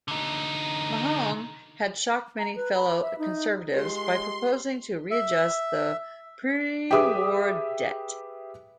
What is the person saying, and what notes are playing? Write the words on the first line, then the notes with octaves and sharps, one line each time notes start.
Mahone had shocked many fellow Conservatives by proposing to readjust the prewar debt.
D3 D#4
A#5
B4
B5
E5
D#4
G#3 F4 G4 A#4 C6
E5
G4 G#4 B4 E5 D6 D#6